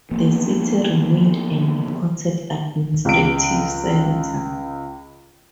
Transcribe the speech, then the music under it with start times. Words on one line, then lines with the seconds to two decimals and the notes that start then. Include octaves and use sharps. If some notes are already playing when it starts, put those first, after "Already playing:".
The city remained an important administrative centre.
0.11 F3 A#3 B3
3.05 C#2 D7